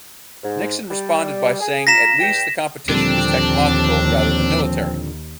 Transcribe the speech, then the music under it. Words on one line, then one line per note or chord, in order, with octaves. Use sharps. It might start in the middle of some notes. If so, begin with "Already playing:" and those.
Nixon responded by saying at least the competition was technological, rather than military.
G#2
G3
G#4
F4 A#5 A#6 B6 E7
E2 G5
D#2 A#2 D3 F3 G3 C4 D4